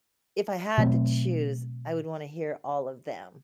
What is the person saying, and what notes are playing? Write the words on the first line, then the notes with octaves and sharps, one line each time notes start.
if I had to choose I would wanna hear all of them.
B2 F#3 A3 C4